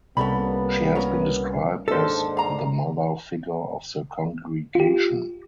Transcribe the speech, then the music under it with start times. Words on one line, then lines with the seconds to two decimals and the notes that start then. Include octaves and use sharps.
She has been described as "the mother figure of the congregation".
0.17 C2 G3 A#3 B3 C#4 A4 B5
0.95 C#4 F4 A#4
1.88 D#2 G#2 D4 A4 C5
2.37 F5 A#5
4.75 F4 G4